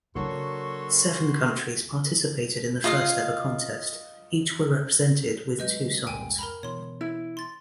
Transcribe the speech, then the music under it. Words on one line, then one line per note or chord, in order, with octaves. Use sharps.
Seven countries participated in the first ever contest, each were represented with two songs.
C#3 F#3 A#3 D4 F#4 A4 C#5 C6
F4 D#5 F5
F#3 G#3 A3 B4 D#5 G6
C2 F2 G#2 G5 G#5
A#4 A#5 B5
B2 E3 C#5 C6
E4
C6 A6